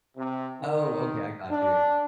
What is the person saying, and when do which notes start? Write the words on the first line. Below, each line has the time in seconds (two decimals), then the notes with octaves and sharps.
Oh, okay. I got you.
0.16 C3
0.61 D#3
1.50 D4